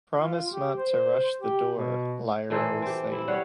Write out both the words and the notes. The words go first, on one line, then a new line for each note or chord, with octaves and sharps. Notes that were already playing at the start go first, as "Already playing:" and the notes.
"Promise not to rush the door," Lyra was saying.
F4
G4
C5
G4
B2
A#2 E3 A4 C5
C4 G4
E4
G3 C#5 F5 F#5